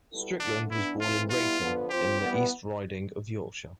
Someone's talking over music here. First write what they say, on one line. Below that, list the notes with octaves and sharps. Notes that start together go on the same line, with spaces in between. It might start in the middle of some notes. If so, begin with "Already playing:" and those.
Strickland was born at Reighton, in the East Riding of Yorkshire.
B2 G3 B3 E4 A4
E2 D3 A3 D4
E3 B3 D4 E4
E3 A3 C4 E4 F4
G3 B3 E4 F4
D3 F3 B3
A2 F3 C4 F4 G4 C5
E3 G3 B3